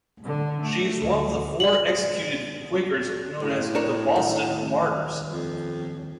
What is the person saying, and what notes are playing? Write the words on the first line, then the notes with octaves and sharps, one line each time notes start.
She is one of the four executed Quakers known as the Boston martyrs.
D3
A3
D2
D5 F#7
A2
D4 A#4 C#5
D#2 D#4
F2